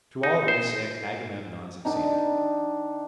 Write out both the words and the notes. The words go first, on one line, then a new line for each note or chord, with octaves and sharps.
To all this Agamemnon succeeded.
D#4
C5
D#3 D4 D#4